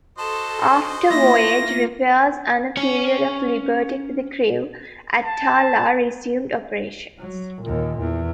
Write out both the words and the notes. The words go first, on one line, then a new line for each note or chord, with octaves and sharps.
After voyage, repairs, and a period of liberty for the crew, "Attala" resumed operations.
F#4 A4 C5 D#5 A5
A#3 E4 F4 A#6
C#4 C#5
A5
F#3
D#2 A#2
E2